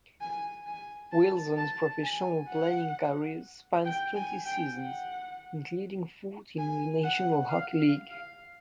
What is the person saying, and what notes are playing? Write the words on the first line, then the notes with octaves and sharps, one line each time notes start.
Wilson's professional playing career spans twenty seasons, including fourteen in the National Hockey League.
G#5
G#5
A5
A5
G#5
F#5
G5
G#5
G5
F#5
G#5
F#5
F5
F5
F5